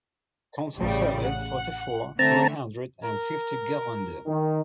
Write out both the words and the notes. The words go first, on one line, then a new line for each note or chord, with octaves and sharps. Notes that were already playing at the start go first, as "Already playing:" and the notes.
Consuls Alley, forty-four, three hundred and fifty Guérande.
A1 C#3 G3
F#5
D3 A3 C4 E5 A5 A#5
A#4
D#3